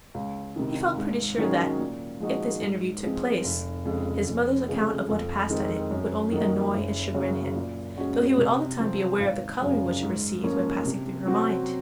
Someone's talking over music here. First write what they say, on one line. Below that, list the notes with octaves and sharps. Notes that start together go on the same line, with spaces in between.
He felt pretty sure that, if this interview took place, his mother's account of what passed at it would only annoy and chagrin him, though he would all the time be aware of the colouring which it received by passing through her mind.
C#2
C3 D#3
G#2
D#3 F#3 C#4 G#4
A#2
F3 G#3 D#4 F#4
G#2
F3 G#3 C4
F1
F2 C#3 G#3
F1
F2 C#3 F3 G#3
F2
D#3 G#3 C4
F#2
D#3 F#3 A#3 D#4
F#1
F#2 C#3 F#3
A#2
G#3 C#4 F#4
C3
F3 C4
G#1
F#2 C#3
G#2
F3 A#3 C#4
C3
F#3 C4 F#4